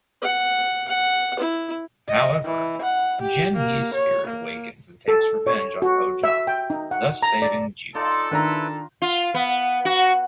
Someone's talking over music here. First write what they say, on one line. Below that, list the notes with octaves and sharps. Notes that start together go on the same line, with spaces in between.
However, Jin-hee's spirit awakens and takes revenge on Ho-jung, thus saving Ji-won.
F#5
F#5
E4
D#5
E3
F#5
G4
A#3
C#5
A#3
A4
C#5
F#4
E5
G5
D#4
F#5
A#5
D5
D#4 F4 A4 D5
D#3 D4 E4 B4 A#5
F4
B3
F#4